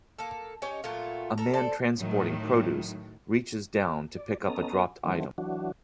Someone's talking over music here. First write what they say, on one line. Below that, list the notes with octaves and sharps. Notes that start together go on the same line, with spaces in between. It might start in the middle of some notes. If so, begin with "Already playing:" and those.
A man transporting produce reaches down to pick up a dropped item.
A#3 A4
C#4 G4 C#5 D#5
A#2 F#3 A3 F4
A4 A#4
A4 C5 D5
A2 D#3 F#3
D5
B3 C#4 A4 D#5 A#5
D#3 E3 F#3 A3 C4
E3 F#3 D4 F#4